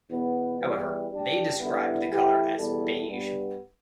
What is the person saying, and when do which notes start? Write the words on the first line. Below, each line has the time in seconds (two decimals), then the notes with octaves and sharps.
However, they described the color as "beige".
0.10 E2 B2 B3
0.59 E2 E3 G3
1.09 G3 D4 G4
1.58 D3 G3 B3 E4
2.08 E3 A3 E4 G4 B4
2.57 E2 B2 G3 E4 A4
3.07 G2 G3 B3